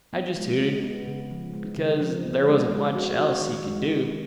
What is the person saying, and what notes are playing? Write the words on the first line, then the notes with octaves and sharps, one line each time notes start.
I just hooted, because there wasn't much else he could do.
B3
G#3
G#3
B3
C#3
F3
G#3
C#3
F3
B3
G#3
G#3
F#4
F#4
D#3
G#3
D#3